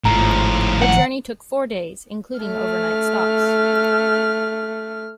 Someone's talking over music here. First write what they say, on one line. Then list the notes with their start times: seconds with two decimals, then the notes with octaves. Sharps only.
The journey took four days, including overnight stops.
0.05 G#1 A2 F3 A#5
0.82 F#5
2.41 A3 F6